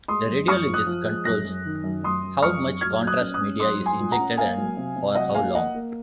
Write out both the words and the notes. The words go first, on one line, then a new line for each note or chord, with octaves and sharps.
The radiologist controls how much contrast media is injected and for how long.
G#3 C6 D#6
F#2
F#2 C#6 F6
F3
D#6 F#6
F3
G#3
F#2 F#6 A#6
F#2
D#3
F#2
F#2 C6 D#6
F#2
F#2 C#6 F6
F#2
F#3 F6 G#6
F#3
D#6 F#6
C#4
D#6 F#6
C#4
F#3 C6 D#6
F#3
G#5 C6
A#2
F#5 A#5
C#4
A#3 F5 G#5
F#3
C3
C3
F#3 D#5 F#5
A#3 F5 G#5
A#3 D#5 F#5
A#3